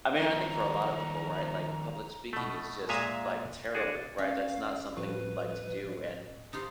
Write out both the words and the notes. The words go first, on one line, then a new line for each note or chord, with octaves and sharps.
I mean, I think for a lot of people right like public speaking is just like terrible right? That's not something we'd like to do and
D#3 F3 G3 A#5
B2 A3
A#2 G#3 E5 F5 G#5 A#5
D4 F#4 G#4
C#4 F5
A2 F3 G3 F#4 B4
D#4 F4 G4 C5